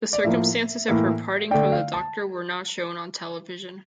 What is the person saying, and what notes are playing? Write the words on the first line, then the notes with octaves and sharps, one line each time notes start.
The circumstances of her parting from the Doctor were not shown on television.
D5
A2 F3 A#3 E5
A2 E3 A#3 E4
D3 A3 D4 G5
F5
A5